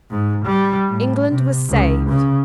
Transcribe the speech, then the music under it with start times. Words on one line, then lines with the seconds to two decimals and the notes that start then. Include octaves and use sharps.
England was saved.
0.10 G#2
0.45 G3
0.89 A2
1.30 C3
1.69 C#2
2.09 C#3